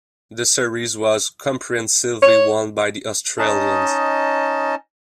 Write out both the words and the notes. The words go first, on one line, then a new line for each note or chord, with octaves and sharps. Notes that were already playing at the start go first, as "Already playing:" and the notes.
The series was comprehensively won by the Australians.
C#5
C#4 D#4 D#5 A5